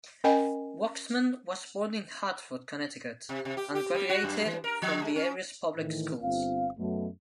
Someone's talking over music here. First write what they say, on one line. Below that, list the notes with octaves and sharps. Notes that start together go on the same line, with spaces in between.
Waxman was born in Hartford, Connecticut, and graduated from the area's public schools.
C#4 A#4 D#5 G5 G#5
C3
C3
G4
G4
G3
F#4
F#2
E3
A#4
F3
G#3
C#4
A2 D#3 E3
G1 C4 F4 F5
F#2 B2 F#3 A3